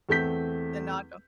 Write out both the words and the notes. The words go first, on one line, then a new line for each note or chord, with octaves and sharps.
the knob do
E2 A3 C4 G6 B6